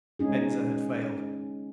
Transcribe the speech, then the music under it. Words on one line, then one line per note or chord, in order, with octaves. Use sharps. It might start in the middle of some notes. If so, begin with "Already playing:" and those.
Venza had failed.
G#3 C#4 D#4 G#4